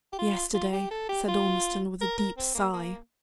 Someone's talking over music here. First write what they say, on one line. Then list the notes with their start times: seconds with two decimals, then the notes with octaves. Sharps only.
"Yesterday," said Ormiston, with a deep sigh.
0.13 G4
0.18 F4
0.54 F4
0.73 G4
0.91 A4
1.09 G4
1.28 F4
2.01 A#4
2.18 A#4
2.37 C4
2.55 A#3
2.73 A#3